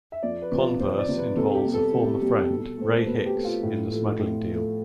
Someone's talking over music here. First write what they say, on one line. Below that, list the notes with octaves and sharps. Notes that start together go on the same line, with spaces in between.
Converse involves a former friend, Ray Hicks, in the smuggling deal.
E5
F2 D5
B4
C3 F3
F4
F2 C5
D5
C3 F3
B4
C3 A4
G4
G3 B3
A4
C3
G3 B3
B2
A3 C4
B2 B4
G4
A3 C4
F4
A2
F3 A3
A2
F3 A3